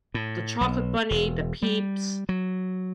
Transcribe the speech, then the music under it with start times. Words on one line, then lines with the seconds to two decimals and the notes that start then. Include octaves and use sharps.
the chocolate bunny, the peeps,
0.14 A2
0.61 B1
1.10 E1
1.63 G3
2.29 F#3